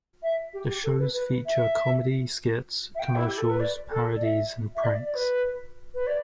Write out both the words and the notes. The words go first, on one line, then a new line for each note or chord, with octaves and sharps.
The shows feature comedy skits, commercials, parodies, and pranks.
E5
G4
G4
A4
B4
B4
E5
E5
G5
E4
G4
A4
B4
D5
A4
D5
E5
E5
D5
D5
B4
B4
D5